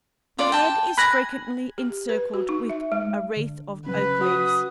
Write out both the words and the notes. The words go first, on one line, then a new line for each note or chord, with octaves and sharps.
The head is frequently encircled with a wreath of oak-leaves.
F4 D5 F#5
G5 A5
G#5 B5 F#6 A#6
G4
B4
F#4
D#4
E5
G#3
D3
C#3 F#3 C#4 B4
F#4 D#6